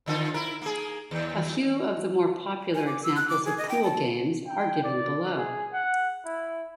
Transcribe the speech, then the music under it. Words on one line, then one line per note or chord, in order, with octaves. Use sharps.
A few of the more popular examples of pool games are given below.
F2 D3 F4
E4 A#4
A#3 G#4
D#2
G#5
D6
E6
F#6
D6
G#4
D#5
G5
A5
G5
D5
G#4
F#5
E4